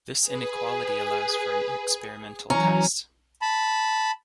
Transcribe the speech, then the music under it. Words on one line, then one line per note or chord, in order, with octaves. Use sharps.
This inequality allows for an experimental test.
G#4 B4
E3 F#3 C#4 A#5
A5 B5